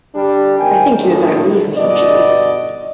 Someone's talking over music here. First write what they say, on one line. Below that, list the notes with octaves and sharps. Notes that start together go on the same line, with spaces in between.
I think you had better leave me, Jeeves.
D3 G3 D4 G4
G#2 C3 D#3 A#4 G5 G#5
A#1 A2 D3 D#3 F#3
G1 B2 D5 D#5